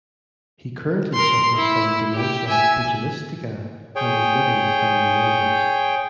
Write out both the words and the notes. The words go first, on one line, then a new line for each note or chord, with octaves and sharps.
He currently suffers from dementia pugilistica, and is living with family members.
A#4 C6
E4
G4
E5 G#5
G#4 C#5 G5